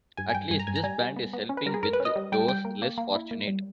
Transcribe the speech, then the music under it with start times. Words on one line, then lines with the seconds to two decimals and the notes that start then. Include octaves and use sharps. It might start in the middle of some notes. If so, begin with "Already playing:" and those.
At least this band is helping with those less fortunate.
0.17 G2 G#5
0.30 G#5
0.33 G2 G5
0.50 G2 G#5
0.59 A#5
0.67 G2 G#5
0.76 A#5
0.83 G3 G#5
1.00 G3
1.17 B3
1.33 B3
1.49 C#4
1.57 B4
1.66 G3 A#4
1.74 G#4
1.83 G2 A#4
1.93 B4
2.00 C#4
2.05 D#5
2.16 G3
2.32 G3 G5
2.48 G3 G5
2.65 A#3
2.82 A#3
2.98 A#3
3.15 E4
3.31 A#3
3.47 G3